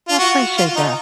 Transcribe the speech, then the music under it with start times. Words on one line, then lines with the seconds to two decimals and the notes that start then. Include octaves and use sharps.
I appreciate that.
0.09 F4
0.19 F#4
0.57 F4
0.76 D#4